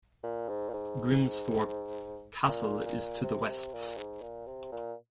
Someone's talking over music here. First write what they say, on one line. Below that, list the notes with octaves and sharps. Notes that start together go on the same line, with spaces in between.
Grimsthorpe Castle is to the west.
A#2
G#2
A#2
G#2
A#2
A#2
C3
C3
A#2
G#2
A#2
C3
A#2